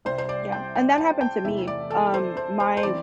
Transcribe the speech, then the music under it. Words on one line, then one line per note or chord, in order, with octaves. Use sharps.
Yeah. And that happened to me, um, my
C2 C3 G3 C5
C5
D5
G5
G5
A5
G5
E2 C3 E3 A3 E5
D5
A4
C5
C5
C5
C5
E3 C4 D5